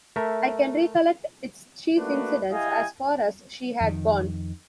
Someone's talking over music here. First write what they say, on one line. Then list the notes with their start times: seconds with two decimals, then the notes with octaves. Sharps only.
I can recollect its chief incidents, as far as she had gone.
0.16 A3 A#4 E5
1.97 A3 A#3 D4 F#4 B4
2.51 E4 G4 D#5 F5 G5 G#5
3.81 F2 D#3